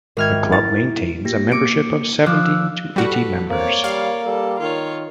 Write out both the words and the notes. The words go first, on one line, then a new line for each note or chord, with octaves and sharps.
The club maintains a membership of seventy to eighty members.
G#1 A#4 E5 G5 F6 G#6
E4 A6
A#3 G4 A#6
A#3 D6 C#7 D7
F3 D6 F6 F#6
E6
G3 F#4 A4 B4
A#3 C4 C#5 D5
G3 F5
G3 A4
D#3 F4 C#5